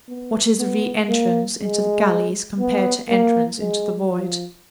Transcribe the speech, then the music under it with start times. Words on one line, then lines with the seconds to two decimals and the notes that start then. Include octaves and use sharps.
What is a re-entrance into the galleys, compared to entrance into the void?
0.09 B3
0.59 B3
1.09 A#3
1.59 G#3
2.59 B3
3.09 A#3
3.59 G#3
4.09 F3